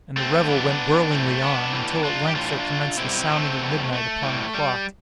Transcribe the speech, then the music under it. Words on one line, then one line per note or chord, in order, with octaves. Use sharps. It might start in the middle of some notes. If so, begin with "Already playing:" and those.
And the revel went whirlingly on, until at length there commenced the sounding of midnight upon the clock.
A3 C4
F2 E3 G3 B3 D4
A2 E3 G3 A3 C4
B3 D4
A2 E3 G3
D4 F4
G4
A2 E3 G3 D4 F4
B2 G3 C4 E4
A3 C4
E2 B2 G3
A3
A2 E3 G3
G3